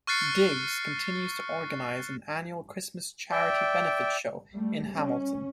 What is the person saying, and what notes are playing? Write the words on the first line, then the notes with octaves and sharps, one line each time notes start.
Digs continues to organize an annual Christmas charity benefit show in Hamilton.
C#6 F6 F#6 A6 C7 C#7
D5 E5 G5
G3 A3
C#4